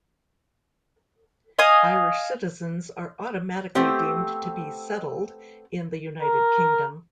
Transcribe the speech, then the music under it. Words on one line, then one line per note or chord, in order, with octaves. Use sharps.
Irish citizens are automatically deemed to be "settled" in the United Kingdom.
D#5 F5 G#5 D#6
A3 B3 C4 G4
A#4